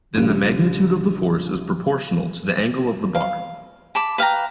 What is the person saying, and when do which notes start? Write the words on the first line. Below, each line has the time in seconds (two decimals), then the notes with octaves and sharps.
Then the magnitude of the force is proportional to the angle of the bar.
0.16 A#1 C#3 G3
3.15 F5
3.95 A5 B5 D6
4.18 B4 F5 G5 A#5